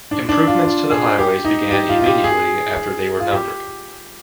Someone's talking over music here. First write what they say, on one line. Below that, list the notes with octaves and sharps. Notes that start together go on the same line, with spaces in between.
Improvements to the highways began immediately after they were numbered.
D4
D4
F4
F4
G#4
G4
D#4
G4
F4
F4
G4
G#4
F4
G4